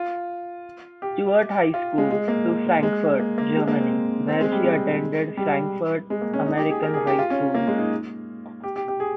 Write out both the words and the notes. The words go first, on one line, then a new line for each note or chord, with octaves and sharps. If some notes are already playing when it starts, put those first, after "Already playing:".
Stuart High School, to Frankfurt, Germany, where she attended Frankfurt American High School.
Already playing: F4
G4
F4
G#3
G#3
A#3
G#3
A#3
A#3
G#3
A#3
C4
C4
G#3
G3
G#3
G3
G#3
A#3
C#4
D#4
G4
G#4
A#4
G#4
G4
F4
C#4
A#3
G#3
D#4
G4
G4
G4
G#4